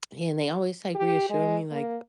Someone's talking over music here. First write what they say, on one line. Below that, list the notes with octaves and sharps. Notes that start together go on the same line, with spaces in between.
and they always, like, reassure me, like,
G4
G#3
A#3